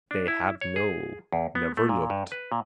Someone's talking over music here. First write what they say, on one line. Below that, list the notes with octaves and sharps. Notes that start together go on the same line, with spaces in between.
They have no. Never looked.
D4
E4
C#5
G#4
E2
B3
A3
A#2
G2
B4
A#2